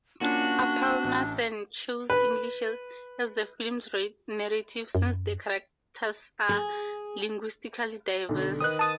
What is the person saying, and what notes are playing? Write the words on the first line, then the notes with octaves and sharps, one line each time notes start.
Aparna Sen chose English as the film's narrative since the characters are linguistically diverse.
A#3 C#4 D4 F4 F#4
A1
B4
F#2
G#4
B1 D3
D#3 B4 D#5 D#6 F#6
A5 D#6 A6